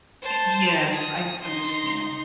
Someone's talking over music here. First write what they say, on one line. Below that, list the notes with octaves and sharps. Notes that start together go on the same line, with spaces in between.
Yes, I understand.
C5 A5
D#6
D#4 C6